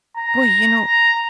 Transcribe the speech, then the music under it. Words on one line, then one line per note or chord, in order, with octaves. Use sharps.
Boy, you know
A#5
A#5